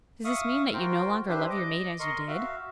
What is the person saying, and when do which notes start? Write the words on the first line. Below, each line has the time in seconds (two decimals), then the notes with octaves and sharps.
Does this mean that you no longer love your mate as you did?
0.25 E5 F5 C#6 D#6
0.74 F4 F#4 A#4 C5 G5
1.28 D4 G4 B4 C5 E5
1.50 D#5 D6
2.00 A#4 D#5 C6 C#6
2.28 F#4 E5 F5